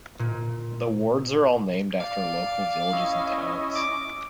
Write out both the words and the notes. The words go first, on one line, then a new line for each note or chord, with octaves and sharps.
The wards are all named after local villages and towns.
A#2
D5 F5
C#4 E4 D#5
D6